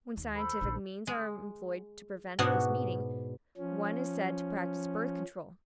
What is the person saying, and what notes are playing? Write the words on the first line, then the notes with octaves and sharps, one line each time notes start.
When scientific means are employed to prevent this meeting, one is said to practice birth control.
D#2
A4 C5 B5
A#1 D#3
G#3
G#2 B2 B3 D4 F#4 C#5
F3 C#4